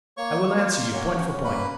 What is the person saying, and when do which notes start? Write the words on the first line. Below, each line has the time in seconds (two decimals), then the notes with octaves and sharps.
I will answer you, point for point.
0.17 A#3 C#5 C#6
0.42 A#3
0.55 F4 F5
0.69 A#3
0.93 C#4 F#4 C#5
1.19 C#4
1.44 A#3 B4 B5